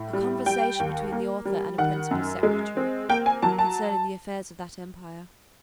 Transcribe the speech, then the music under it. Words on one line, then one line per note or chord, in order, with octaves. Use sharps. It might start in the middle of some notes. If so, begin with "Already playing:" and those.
A conversation between the author and a principal secretary, concerning the affairs of that empire.
Already playing: A2
G3
G3 G5
D#2
A#3
G3
D#3 F#5
F#2
G#3
C4
A#3 G5
G#5
F#3 A5
A5